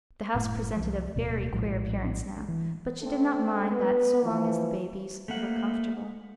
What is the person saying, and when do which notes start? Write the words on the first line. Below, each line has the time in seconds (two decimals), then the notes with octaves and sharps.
The house presented a very queer appearance now, but she did not mind that so long as the babies were comfortable.
0.34 F#1 A2 A3
0.76 C2 F3
1.16 D1 B2 A#3
1.53 A#1 A2 F3 G#3
2.48 E3
3.02 A3 C4 D4 A4
3.70 B3 B4
4.23 E3 F3
5.28 A3 A#3 F#5